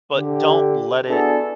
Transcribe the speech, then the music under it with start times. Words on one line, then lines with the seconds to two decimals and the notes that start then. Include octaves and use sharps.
But don't let it
0.15 D3 G4
1.08 B3 D4 E4 F#4 G#4 A4